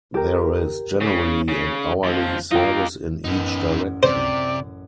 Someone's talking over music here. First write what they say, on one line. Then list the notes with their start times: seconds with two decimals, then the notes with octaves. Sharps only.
There is generally an hourly service in each direction.
0.14 G4 A#4
1.01 C#3
1.48 C#3
2.04 D#2 F3
2.51 A#3 D#4 F4 G5
3.24 A1 F#2 B3 D#4
4.03 C3 C5 D5